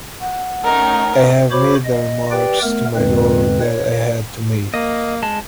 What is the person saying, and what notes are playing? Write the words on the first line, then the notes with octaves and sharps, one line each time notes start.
I have made the remarks to my lord that I had to make...
F#5
A3 C#4 D#4 A#4
F#4 C5 C#5 B5 D6
D#5
G4 B4 D5 G5
A3 B3 A#4
E2 G#2 D3 G#3 C4 B4
C#5
A#3 D#5
G#3 A5